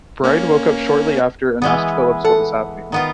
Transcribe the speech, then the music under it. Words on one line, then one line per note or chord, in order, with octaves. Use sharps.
Bride woke up shortly after and asked Phillips what was happening.
A#3 C#4
E3 G#3 B3
A4 F#5
D#3 B3 F4